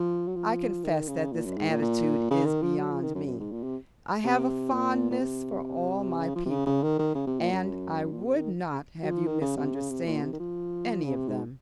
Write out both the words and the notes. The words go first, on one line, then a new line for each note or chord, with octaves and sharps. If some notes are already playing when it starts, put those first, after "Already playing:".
I confess that this attitude is beyond me; I have a fondness for all my people, and I would not have you misunderstand any of them.
Already playing: F3
F#3
F3
D#3
C#3
A#2
F#2
G#2
A#2
A#2
C#3
D#3
F3
F#3
F3
D#3
F#2
F#2
G#2
A#2
C3
C3
A#2
A#2
C3
C#3
F3
C3
C#3
C#3
D#3
D#3
C#3
C3
A#2
F#2
A#2
C3
D#3
F#3
F3
D#3
C#3
C3
C#3
C3
A#2
C3
D#3
F3
C#3
C3
G#2